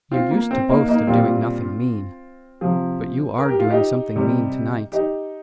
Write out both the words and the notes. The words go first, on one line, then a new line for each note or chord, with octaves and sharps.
You used to boast of doing nothing mean, but you are doing something mean tonight.
C4 F4
A#3
C4
A#3 D#4
A#3 D#4
A#2 G3 C4 F4
C3 F3
A#4
G4
F4
D#4 G4
C3 G3
D#4 G4